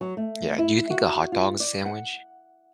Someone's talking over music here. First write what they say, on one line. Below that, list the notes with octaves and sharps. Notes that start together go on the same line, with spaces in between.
Yeah, do you think a hot dog is a sandwich?
F#3
A3
E4
F#4
F4
D5
F#5